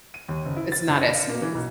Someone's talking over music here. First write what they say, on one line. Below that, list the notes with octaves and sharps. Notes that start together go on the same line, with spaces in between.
it's not as smooth.
D#7
D#2
F#1
E4
A6
F#1
C#7
F5
A#3
E3
B1